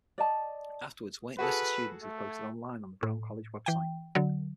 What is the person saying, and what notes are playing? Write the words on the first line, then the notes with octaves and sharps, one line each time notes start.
Afterwards, a waiting list of students is posted online on the Brown College website.
D5 D#5 A5
F#4 G#4 A4 B4
A3
A2
E3 G5
D3 F#3